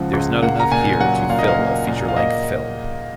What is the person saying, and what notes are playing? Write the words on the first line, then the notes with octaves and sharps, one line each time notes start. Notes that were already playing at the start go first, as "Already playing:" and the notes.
There's not enough here to fill a feature-length film.
Already playing: C#2 C#3 F3 G#3 F#5
C#2
A#3 F#5
A#5
A#2 G#5
F#3 F#5
A#2 F5
D#5
F5
A#3
A#2
F5
A#3 D#5